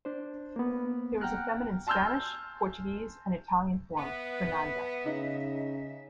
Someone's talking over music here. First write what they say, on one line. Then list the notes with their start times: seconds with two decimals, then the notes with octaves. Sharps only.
There is a feminine Spanish, Portuguese and Italian form, "Fernanda".
0.05 D4 C5
0.56 A#3 B3
1.21 F#5 G5 A#5 F6 F#6
1.87 G#5 A5 C6 E6 F6 G6
3.98 B3 E5
5.06 C#3 D#4